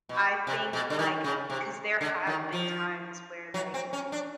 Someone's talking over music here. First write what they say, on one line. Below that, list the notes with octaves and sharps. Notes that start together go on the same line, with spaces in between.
I think, like 'cause there have been times, where, like,
B2
C3
B2
D3
D#3
C#3
C3
D3
D#3
F3
F#3
C4
C#4
D4